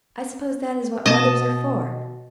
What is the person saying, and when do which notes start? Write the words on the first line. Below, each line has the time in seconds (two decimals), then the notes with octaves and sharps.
"I suppose that is what mothers are for!"
1.06 B2 D#5 A5